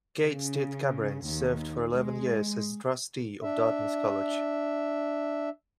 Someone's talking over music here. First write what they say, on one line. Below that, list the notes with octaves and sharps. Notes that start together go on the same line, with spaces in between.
Kate Stith-Cabranes served for eleven years as a trustee of Dartmouth College.
C#3
D#2
G#3
D4 E5